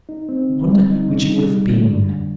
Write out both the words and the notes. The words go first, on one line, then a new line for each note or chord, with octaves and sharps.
I wonder which it would have been?
D#4
C4
D3
G3
D#4
D#4
G3
G3
D3
D4
F2